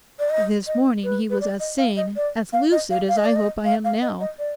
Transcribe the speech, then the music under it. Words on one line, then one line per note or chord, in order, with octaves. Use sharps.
This morning he was as sane, as lucid as I hope I am now.
D5
D#5
D#5
B4
B4
D5
D#5
F5
D#5
D5
F5
D#5
F5
F5
D#5
D5
D#5
F5
F5
D#5
D#5
D5